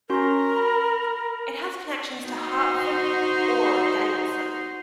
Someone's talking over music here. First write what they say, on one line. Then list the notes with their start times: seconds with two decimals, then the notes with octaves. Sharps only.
It has connections to Hartford or Danielson.
0.10 C#4 F#4 A#4 C6
0.57 B5
2.24 D#4 F#4 C5